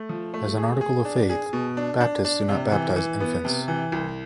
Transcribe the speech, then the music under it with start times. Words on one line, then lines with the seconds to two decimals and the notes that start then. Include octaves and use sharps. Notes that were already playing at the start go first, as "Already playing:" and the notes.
As an article of faith, Baptists do not baptize infants.
Already playing: A3
0.09 F3
0.34 A3
0.58 G#4
0.81 G#4
1.05 D4
1.29 G#4
1.53 B2
1.77 D4
2.00 D4
2.25 D4
2.49 C3
2.72 E3
2.96 E3
3.20 B3
3.45 C3
3.68 E3
3.92 C2